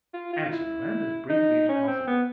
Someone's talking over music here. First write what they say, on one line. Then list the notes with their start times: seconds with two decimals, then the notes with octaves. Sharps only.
Answer them, and as briefly as possible.
0.13 F4
0.33 F4
0.45 F4
0.52 E4
1.29 D#4
1.69 C#4
1.87 C4
2.07 B3